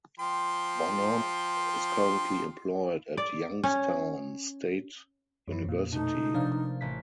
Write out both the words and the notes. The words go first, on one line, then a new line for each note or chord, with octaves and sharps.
Bonhomme is currently employed at Youngstown State University.
F3 G5 C6
D5
C#4
F#2 E3
F2 A#2
B2 A3 D#4
C3 F3 A#3 D4 F5
A1 A6 B6